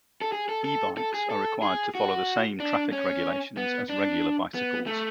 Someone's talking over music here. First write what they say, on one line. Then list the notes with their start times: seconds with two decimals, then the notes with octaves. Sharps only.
E-bikes are required to follow the same traffic regulations as regular bicycles.
0.21 A4
0.32 G#4
0.49 A4
0.64 A4
0.97 A4
1.14 G#4
1.30 A4
1.62 G#4
1.95 F#4
2.60 D4
2.92 C#4
3.57 B3
3.89 D4
4.55 B3
4.87 A3